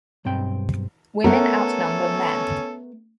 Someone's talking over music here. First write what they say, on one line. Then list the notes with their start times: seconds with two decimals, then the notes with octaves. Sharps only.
Women outnumber men.
0.25 B1 G2 C4 G5
1.24 A3 B3 C#4 A4 A#4